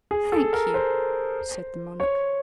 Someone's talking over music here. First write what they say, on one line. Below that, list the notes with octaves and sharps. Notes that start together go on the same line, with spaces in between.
"Thank you," said the monarch.
G#4
A4
A#4
C5
C#5